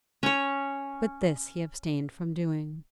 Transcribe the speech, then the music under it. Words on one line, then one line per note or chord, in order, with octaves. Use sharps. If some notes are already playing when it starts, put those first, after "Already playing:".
But this he abstained from doing.
C#4 C#5